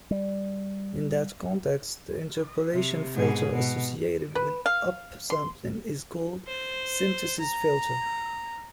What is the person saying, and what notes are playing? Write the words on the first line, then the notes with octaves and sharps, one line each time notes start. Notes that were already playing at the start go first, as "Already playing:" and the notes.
In that context, the interpolation filter associated with upsampling is called "synthesis filter".
G3
C3
G#2 B2 G#4
B2
B4
F5
C6
C5
A#5